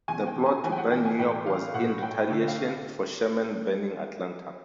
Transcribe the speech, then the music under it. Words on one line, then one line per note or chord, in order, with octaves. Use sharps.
The plot to burn New York was in retaliation for Sherman burning Atlanta.
E2 G#5
G5
E2
G#5
E3 G#5
G5
F#5
E3 G5
G#5
A2 G5
E3 F5
A2 F#5
A2 G5
D3 G5
F5